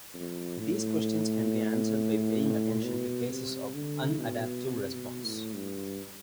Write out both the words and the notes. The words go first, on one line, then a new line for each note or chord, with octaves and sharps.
These questions can be answered by paying attention to cases of unadaptive response.
F2
A2
B2
C3
D3
B2
C3
B2
A2
G2